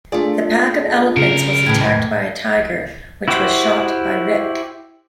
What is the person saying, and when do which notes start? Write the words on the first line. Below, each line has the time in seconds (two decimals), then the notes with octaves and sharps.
The pack of elephants was attacked by a tiger, which was shot by Rik.
0.12 A3 D4 F4 G#4 D5
1.17 B1 C#3 A#4
1.66 A2 D#3 E3 G#6
3.28 E4 F#4 G4 C5